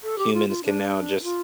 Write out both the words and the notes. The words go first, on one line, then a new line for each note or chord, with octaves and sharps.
humans can now, just
A4
G4
F4
F4
D4
D4
F4